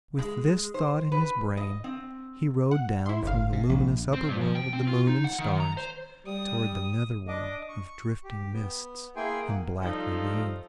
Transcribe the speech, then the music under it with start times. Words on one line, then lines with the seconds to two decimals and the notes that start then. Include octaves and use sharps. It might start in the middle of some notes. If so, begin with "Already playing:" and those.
With this thought in his brain, he rode down from the luminous upper world of the moon and stars toward the nether world of drifting mists and black ravines.
0.19 G#3
0.74 C5
1.12 B4
1.57 D#5
1.84 C4
2.71 F#5
3.06 E4 C6
3.23 G1 F5
3.53 C3
3.69 A#1
4.13 C4
4.29 G2
4.41 F3
4.55 G5
4.73 C4
4.87 F4
5.07 D#4
5.24 F#5
5.38 D#3
5.60 A#5
5.77 C5
6.26 G3 D#6
7.28 D4 D#5 D6
7.69 C#6
8.24 G4
8.53 B3
9.16 A#3 E4 G#4 G5 G#5 C6
9.47 A#3 F#5
9.80 F3 G3 D#4 F4 A4